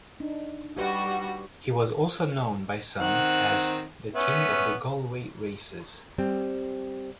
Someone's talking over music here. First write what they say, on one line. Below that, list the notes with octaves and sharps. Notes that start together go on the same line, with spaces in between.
He was also known by some as the "King of the Galway Races".
D4 D#4
G3 F#4 G4 B4 D5
D#3 C4 F#5
B3 C#4 E5
G3 C4